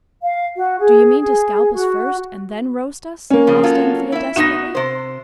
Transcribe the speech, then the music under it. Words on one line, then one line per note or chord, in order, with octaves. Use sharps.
'Do you mean to scalp us first and then roast us?' asked Anthea desperately.
F5
F#4
G#4
G#4
F#4
A#3 C#4
C#3 F3
F#3 F4 A4
E4 E5
B3 D#4 F#4 A#6 E7
C3 C5